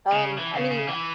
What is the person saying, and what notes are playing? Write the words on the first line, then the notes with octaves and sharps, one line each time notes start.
Um, I mean,
C#3
E3
C#3
C#3
E3